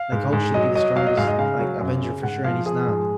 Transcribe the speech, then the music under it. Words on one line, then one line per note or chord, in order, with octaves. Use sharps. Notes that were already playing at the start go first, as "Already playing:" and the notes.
like, Hulk should be the strongest, m like, Avenger for sure, and he's not.
Already playing: F5
G#2
G#2
F#3 D#5
F#3 D#5
F#3 F5
D#5
G#2 F5
D#5
C#3 F5
F#3
F#2
C#3
G#2 F#5
F3 F5
F3 G#4
G#2